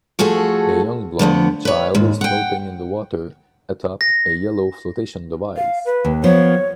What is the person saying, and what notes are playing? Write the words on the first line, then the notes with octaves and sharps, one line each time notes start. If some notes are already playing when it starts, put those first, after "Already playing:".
A young blond child is floating in the water atop a yellow flotation device.
F3 A3 F#4 G#4 A4
D3 F3 A3 B3
B4 C#5
D#2 G#2
F#5 G5
A#6
F5
B4
D#2
F3 B3 C#5